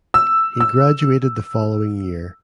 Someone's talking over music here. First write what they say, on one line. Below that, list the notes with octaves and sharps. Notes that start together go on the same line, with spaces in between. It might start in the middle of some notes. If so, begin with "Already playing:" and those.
He graduated the following year.
E6
E6